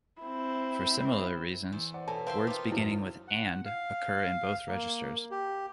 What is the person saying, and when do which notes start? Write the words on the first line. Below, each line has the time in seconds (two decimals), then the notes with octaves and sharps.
For similar reasons, words beginning with and occur in both registers.
0.22 C4 E4
1.72 E2
1.94 C5 D5 F#5
2.08 B2 A4 C#5 G#5 A5
2.27 C4 A#4 E5 F5 C6 G6
2.47 D#4 F4 D6
2.72 F#2 E3 E4
3.28 F#5
3.65 F5
4.68 A#3
5.31 G4